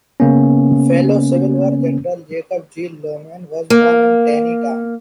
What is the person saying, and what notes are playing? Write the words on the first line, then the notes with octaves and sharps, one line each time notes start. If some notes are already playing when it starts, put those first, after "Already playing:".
Fellow Civil War general Jacob G. Lauman was born in Taneytown.
C#3 A#3 B3 C#4
A#3